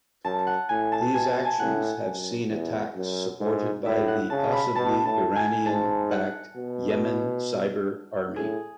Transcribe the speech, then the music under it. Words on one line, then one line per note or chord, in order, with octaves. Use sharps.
These actions have seen attacks supported by the possibly Iranian backed Yemen Cyber Army.
F#2 A5
F#5
A2 G#5
A5
B2 G#5
A5
G#5
A5
G#5
A2 F#5
F#2
E2
F#2
G#2
A2 E5
F#5
C#3 A5
B5
B2 A5
A2 A5
G#5
G#2 A5
F#5
B2
A2 G#4